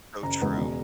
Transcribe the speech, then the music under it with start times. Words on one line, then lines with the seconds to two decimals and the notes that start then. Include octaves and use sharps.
Oh, true.
0.22 F#1 A#5
0.41 E2 C#3 G#3 B3
0.58 E1